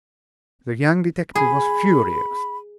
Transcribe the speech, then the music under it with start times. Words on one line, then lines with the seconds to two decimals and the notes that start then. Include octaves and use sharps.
The young detective was furious.
1.35 G#4 B5